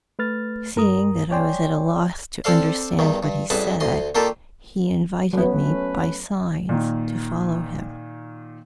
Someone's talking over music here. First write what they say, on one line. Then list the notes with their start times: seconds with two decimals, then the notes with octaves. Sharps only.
Seeing that I was at a loss to understand what he said, he invited me by signs to follow him.
0.19 A3 B4 F6 A6
0.76 G2 A#4 A#5 D#6
1.31 C#5 D5 G5 G#5 C6
2.44 C4 D4 A4 D5 F5 C6
2.99 E2 G2 D#3
3.23 G2
3.50 A1 G3 G#4 B4 F#5 A5
3.80 D2 D#5 C6
4.15 D#3 A#3 D4 F4 G4 A4
5.33 F#3 A3 B3 C#4 B4
6.69 A#2 D#3